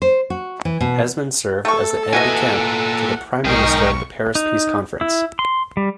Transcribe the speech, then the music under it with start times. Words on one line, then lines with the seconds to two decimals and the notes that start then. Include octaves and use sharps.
Esmond served as Aide-de-Camp to the Prime Minister at the Paris Peace Conference.
0.02 C5
0.30 F#4
0.65 E3
0.81 B2
1.65 A3 A4 C#6
2.13 A#2 E3 F#4 D#5 F#5 G#5
3.45 B1 G#2 D#4 G#4 A#4 G5 C#6
4.35 D#4
5.01 E4
5.39 C6
5.77 G3